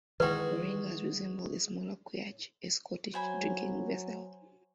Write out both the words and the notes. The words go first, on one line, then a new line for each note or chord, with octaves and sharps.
Porringers resembled the smaller quaich, a Scottish drinking vessel.
D#3 E3 G#3 F#4 B4 G5
F#3 C5 G#5 B5